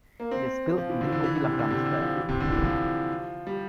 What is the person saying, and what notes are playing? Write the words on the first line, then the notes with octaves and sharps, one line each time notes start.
It is built in the kovilakam style.
A#3
C4
F3
E3
D3
E3
D3
E3
D3
C3
D3
C3
D3
F3
E3
C3
D3
E3
F3
G3